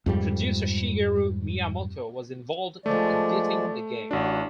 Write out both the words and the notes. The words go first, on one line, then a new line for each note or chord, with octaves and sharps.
Producer Shigeru Miyamoto was involved in editing the game.
F2 G#2 G3
F3 G#3 A3 D5
A1 D4 F#4